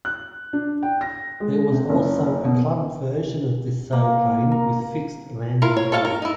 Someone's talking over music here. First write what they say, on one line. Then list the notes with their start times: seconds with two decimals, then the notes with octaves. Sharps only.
There was also a club version of this sailplane with fixed landing gear.
0.05 F#6
0.53 D4
0.83 G5
1.01 A#6
1.40 G#3
1.71 C3
1.89 F#1
2.45 B2
3.93 A#3
4.52 A#4
5.62 E4 F4 A#4
5.77 C#5
5.92 A4 C#5 F5 G#5 A5
6.05 A#4
6.22 D#4 E4